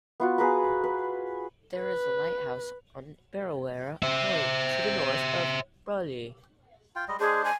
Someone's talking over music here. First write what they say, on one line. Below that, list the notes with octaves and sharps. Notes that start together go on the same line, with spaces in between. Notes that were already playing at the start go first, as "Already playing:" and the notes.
There is a lighthouse on Burrewarra Point to the north of Broulee.
B3 F4 F#4
G#4 B4 A#5 B5
B4
B4
C5 E5
F4 G5
G3 G#3 D#5
G#3 D4 G#4 C5
G#5